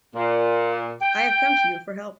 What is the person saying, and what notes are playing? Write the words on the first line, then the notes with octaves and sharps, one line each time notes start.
I have come to you for help.
A#2
G5